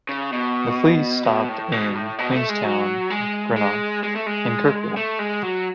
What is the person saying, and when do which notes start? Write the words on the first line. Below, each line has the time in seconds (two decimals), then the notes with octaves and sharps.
The fleet stopped in Queenstown, Greenock, and Kirkwall.
0.09 C#3
0.32 B2
1.25 B2
1.48 A2
1.72 B2
1.95 A2
2.18 B2
2.34 A3
2.49 G#3
2.64 F#3
3.10 G#3
3.57 G#3
4.03 G#3
4.15 A3
4.26 G#3
4.97 A3
5.19 G#3
5.43 F#3